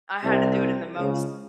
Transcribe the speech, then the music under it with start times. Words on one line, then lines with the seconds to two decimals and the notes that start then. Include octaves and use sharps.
I had to do it in the most
0.24 C2 C3
0.98 C#2 C#3